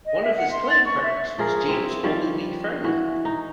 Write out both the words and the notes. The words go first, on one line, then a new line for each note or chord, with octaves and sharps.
One of his playing partners was James Ogilvie Fairlie.
D#5
E5
F#5
C6
A6
C#6
E5
F3 G#4 A#4
C4 E4
F3 G3 C#5
E3 F#4
D#4